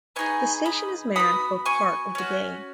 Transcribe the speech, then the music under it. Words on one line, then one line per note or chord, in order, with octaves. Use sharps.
The station is manned for part of the day.
B3 D#4 G#4 G#5 C#6
B5 D#6
B3 D#4 F#4 B5 D#6
G#5 C#6
C#4 F#4